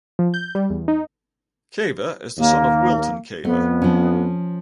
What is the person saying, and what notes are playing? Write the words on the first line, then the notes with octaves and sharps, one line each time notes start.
Caver is the son of Wilton Caver.
F3
G6
G3
E2
D#4
D#2 A#3
F2 A3 B3
F3 C#4